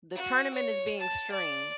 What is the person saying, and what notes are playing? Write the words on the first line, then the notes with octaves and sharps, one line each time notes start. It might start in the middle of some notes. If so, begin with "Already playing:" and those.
the tournament is being streamed
F#4
C#5
A5
D5